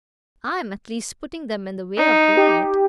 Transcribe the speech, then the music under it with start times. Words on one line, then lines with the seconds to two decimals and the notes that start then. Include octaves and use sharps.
I am, at least, putting them in the way of doing it.
1.97 D#4
2.37 G4